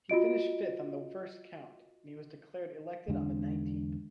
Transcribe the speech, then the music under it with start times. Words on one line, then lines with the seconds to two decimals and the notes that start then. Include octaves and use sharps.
He finished fifth on the first count, and was declared elected on the nineteenth.
0.10 F4 F#4 D#5 D7
3.08 E2 D3 G#3 D4